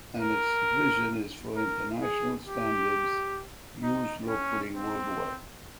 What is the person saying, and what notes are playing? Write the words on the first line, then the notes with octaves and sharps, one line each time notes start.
And its vision is for ‘international standards used locally worldwide’.
A#4
A#4
G#4
G4
D#4
C#4
C4